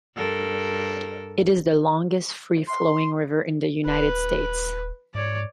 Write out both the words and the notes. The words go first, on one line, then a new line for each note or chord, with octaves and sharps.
It is the longest free flowing river in the United States.
G2 A4 A#4
C6
D#1 B4
G#2 C#5 D5